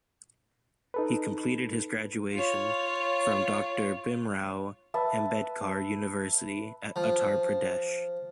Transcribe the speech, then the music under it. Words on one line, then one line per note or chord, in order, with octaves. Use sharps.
He completed his graduation from Doctor Bhimrao Ambedkar University at Uttar Pradesh.
D#4 A4 B4
F4 C#5
B4 E5 A5
F3